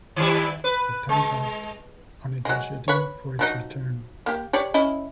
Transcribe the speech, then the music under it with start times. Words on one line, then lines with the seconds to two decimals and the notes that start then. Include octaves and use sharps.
The Town Trust are negotiating for its return.
0.16 D#3 G3 E4
0.64 B4
1.09 G#3
2.45 F#3 G#3
2.88 B4 C#5
3.39 F3 F#3 D#4
4.26 A#3 G4
4.53 G4 C#5 D5
4.74 C#4 E4 D#5